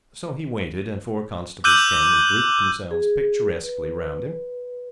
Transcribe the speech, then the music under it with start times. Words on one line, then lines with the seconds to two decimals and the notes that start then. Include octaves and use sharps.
So he waited, and four constables came and grouped themselves picturesquely round him.
1.64 D6 E6 F#6 G6 D#7 F#7
2.91 G#4
3.63 B4